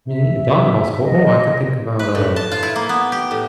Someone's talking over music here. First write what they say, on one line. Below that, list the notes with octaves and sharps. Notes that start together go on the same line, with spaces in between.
Me uh, dodgeball's cool Oh, I could think about, uh
E5
D#5
B4
A2
A5
F4
E4
A#3
B3
G4
A2